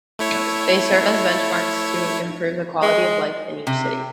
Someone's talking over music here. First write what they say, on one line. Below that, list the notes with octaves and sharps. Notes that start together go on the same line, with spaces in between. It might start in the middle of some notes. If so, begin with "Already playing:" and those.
They serve as benchmarks to improve the quality of life in each city.
A3 E4 C#5
G#3
C3